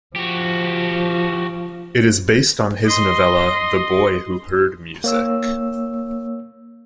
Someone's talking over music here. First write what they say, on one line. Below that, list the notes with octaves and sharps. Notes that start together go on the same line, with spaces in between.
It is based on his novella "The Boy Who Heard Music".
F3 F#4 G4
D#5 C6
A#3 C#5 E6